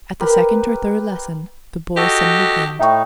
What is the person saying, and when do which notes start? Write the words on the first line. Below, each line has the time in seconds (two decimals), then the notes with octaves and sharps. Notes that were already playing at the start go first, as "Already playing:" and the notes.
At the second or third lesson the boy suddenly grinned.
0.21 G4 A#4 B4
1.97 F#4 G4 A4 D#5
2.79 A2 D#4 E5 G5 C#6